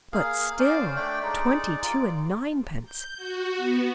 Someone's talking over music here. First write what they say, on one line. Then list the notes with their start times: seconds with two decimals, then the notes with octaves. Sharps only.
'But, still--twenty-two and ninepence!
0.13 A#3 G#4 F5
0.59 C#4 C5 D5 F5
0.96 A3 D4 D5 G5
1.23 G#3 D#4 D5
1.83 F4 D5
2.85 G6
3.17 F#4
3.57 B3